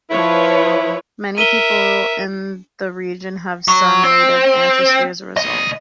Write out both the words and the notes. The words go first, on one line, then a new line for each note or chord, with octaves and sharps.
Many people in the region have some native ancestry as a result.
F3 E4 B4 C#5
A#4 E5 D#7 G7
F#3
C4
C2 D#5